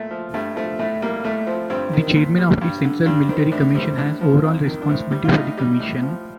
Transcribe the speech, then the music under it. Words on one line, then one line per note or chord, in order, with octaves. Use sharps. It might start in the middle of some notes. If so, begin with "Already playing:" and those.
The Chairman of the Central Military Commission has overall responsibility for the commission.
Already playing: A#2 A3
F3
G2 A3
F3 A3
A2 A3
G3 A#3
A2 A3
F3 C4
G2 C4
D#3
A#2
G3
G2
D3
G2 D4
D#3 C4
A2 D4
G3 C4
A2 D4
F3
F2
D#3
D4
A2 C4
G3
F4
A2 D#4
G3
A2
F3